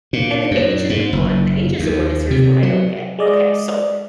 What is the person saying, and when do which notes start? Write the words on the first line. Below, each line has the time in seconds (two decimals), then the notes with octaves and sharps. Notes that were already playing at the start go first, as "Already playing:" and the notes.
And the ageism one, the ageism one is here's one I don't get, okay, so,
0.13 A#2
0.51 F#2
0.90 G#2
1.13 F#1
1.79 D#2
2.31 C3
2.63 F#3
3.19 G#3 D5 D#5